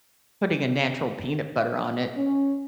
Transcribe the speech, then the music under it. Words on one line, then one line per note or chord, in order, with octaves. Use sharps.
putting a natural peanut butter on it,
C#4